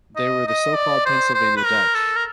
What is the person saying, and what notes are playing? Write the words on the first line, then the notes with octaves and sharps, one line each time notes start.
They were the so-called Pennsylvania Dutch.
D#5
D#5
D5
C5
C5
B4
A#4
A4
A#4